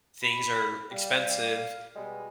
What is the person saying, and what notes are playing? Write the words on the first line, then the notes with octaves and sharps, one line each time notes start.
things are expensive,
B5
G3 F5
B2 G3 G#3